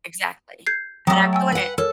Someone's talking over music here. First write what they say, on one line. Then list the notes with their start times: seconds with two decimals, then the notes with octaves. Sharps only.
Exactly, and I'm doing it
0.67 G6 G#6 C7
1.07 F#3 A3 G5 A#5 D#6
1.33 G5 G#5 E6
1.52 B4 F#5
1.78 A4 A#4 C#5